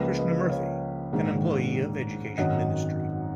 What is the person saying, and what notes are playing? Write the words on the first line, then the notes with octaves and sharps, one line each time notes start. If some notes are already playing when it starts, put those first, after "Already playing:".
Krishnamurthy, an employee of Education Ministry.
Already playing: C#2 C#3 F3 A#3 B4 D#5
B4 D#5
C#5 F5
A#1 G#2 D#3
G#1 F#2 D#3 D#5 F#5